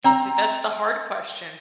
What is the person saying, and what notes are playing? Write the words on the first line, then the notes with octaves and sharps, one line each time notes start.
That's th that's the hard question.
C4 A#5